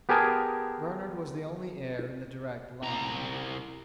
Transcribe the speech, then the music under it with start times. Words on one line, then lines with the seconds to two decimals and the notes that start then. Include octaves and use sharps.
"Bernard was the only heir in the direct line."
0.09 B3 G4 G#4 A#4 G#5 A5
2.83 C2 A#5